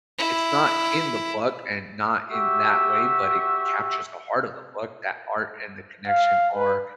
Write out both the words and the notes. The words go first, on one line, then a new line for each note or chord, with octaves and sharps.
It's not in the book, and not in that way, but it captures the heart of the book, that art, and the connection are
E4
F#4 G4 E5
F5
B4